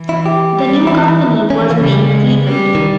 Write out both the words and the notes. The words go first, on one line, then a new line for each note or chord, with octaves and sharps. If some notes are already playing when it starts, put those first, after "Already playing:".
The new company was named Clevite.
Already playing: E3
E4
G4
G3
E3 E4
D#3
E3 C#4
A#3
C#3 G3
G#3
G3
D#3